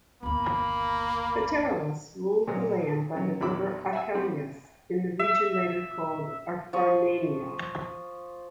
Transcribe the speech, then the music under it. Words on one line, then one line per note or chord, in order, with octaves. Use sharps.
Pterelaus ruled the land by the River Achelous, in the region later called Acarnania.
G1 D#2 A#3 B5
A#2 F#3 G#3 A#4
C#3 F#3
A#1 E2 D#3 B5 D6 E6
E5 F#5 G#5 E6
G3 A3 C4 F#4
E5
F3 C#6 D#6